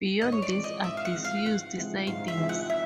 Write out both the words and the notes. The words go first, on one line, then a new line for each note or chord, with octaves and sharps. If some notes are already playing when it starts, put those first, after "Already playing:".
Beyond this are disused sidings.
G#2 D#5
C#5
D5
F3 G#3 C4 E4
D#5
G#2 E5
F5
F#5
F3 G#3 C4 E4
F5
G#2 F#5
F3 G#3 C4 E4
G#2 F5
E5
F3 G#3 C4 E4
F#5
E5